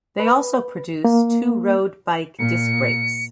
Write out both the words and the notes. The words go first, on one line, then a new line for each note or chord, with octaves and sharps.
They also produce two road bike disc brakes.
B4
A#3
A#2 C#7